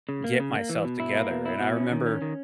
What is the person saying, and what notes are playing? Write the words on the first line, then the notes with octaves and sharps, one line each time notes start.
get myself together. And I remember,
C#3
A#3
C#3
A#3
E3
B2
E4
A#3
B2
E4
B2
C#4
D#3
C#4
D#3